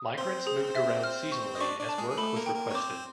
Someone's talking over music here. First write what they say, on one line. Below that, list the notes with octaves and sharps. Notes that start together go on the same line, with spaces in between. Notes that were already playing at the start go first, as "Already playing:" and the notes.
Migrants moved around seasonally as work was requested.
Already playing: D#6
C4 C5 C6
G#4
E5
F6
C#6
D#5
D4 D5 C#6
D4 D5
A5
G#3 G#4
G#4
A3 A4 B5
A#3 A#4
G5
A#3 A#4
C#5
C4 C5 D6